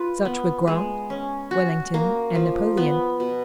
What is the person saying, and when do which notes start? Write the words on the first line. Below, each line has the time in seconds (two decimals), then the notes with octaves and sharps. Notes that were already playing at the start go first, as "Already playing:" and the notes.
Such were Grant, Wellington, and Napoleon.
Already playing: F4 B4
0.25 B3
0.67 G#3
1.10 C#4
1.51 F#4
1.94 A#3
2.35 F3
2.77 B3
3.20 B2